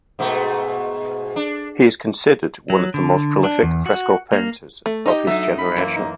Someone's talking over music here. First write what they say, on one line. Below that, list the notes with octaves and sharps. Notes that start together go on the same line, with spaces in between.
He is considered one of the most prolific fresco painters of his generation.
G#2 B2 A3
D4
F#3
D3
D4
E2
F#4
A#3
A3
D#4 G4 D#5
F#3 A3 D#4 E5
B5
F#2 E3 A#3
D#4